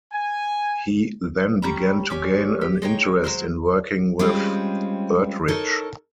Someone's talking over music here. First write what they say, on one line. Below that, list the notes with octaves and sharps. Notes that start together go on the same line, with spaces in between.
He then began to gain an interest in working with Erdrich.
G#5
G3 C#4 A#5
C#4 G4 C#5 D5
G4
G#3 D#4 C#5 G5
F#3 G#3 C5
G3 G#3 C4 C#4 F4
D#4 A4 A#4 C#5